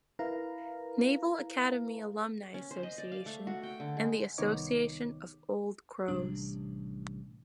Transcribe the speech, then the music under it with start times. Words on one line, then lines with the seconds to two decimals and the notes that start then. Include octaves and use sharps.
Naval Academy Alumni Association and the Association of Old Crows.
0.19 E4 A#4 B4 F5 A#5
2.54 C#4
2.71 C5
2.83 D#5
2.98 D5
3.12 F5
3.26 A3
3.47 F#4
3.63 G5
3.80 D3
3.97 G#3
4.38 C2 D#3 B3 D#4 C#5 D6
6.08 A1 C3 G3 D4